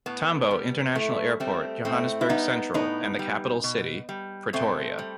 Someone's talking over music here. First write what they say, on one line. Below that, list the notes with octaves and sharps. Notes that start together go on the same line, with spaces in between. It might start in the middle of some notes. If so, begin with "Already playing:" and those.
Tambo International Airport, Johannesburg Central and the Capital City, Pretoria.
A2 B3
G3
A2 A3
G3 A3 C4
A2 A3 C4
E4
G3 B3 D#4
A2 B3 D#4
G3
B2
G3
B2 A3 C4
G3